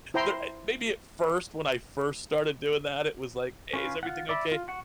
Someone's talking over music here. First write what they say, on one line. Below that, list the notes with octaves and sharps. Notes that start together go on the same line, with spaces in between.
they're, eh, maybe at first when I first started doing that it was like, "Hey, is everything okay?"
E4 C5 G5 A#5 C6
C#4 F4 B4
F4 F#5
D5 E5 B5
F4
F#4 F#5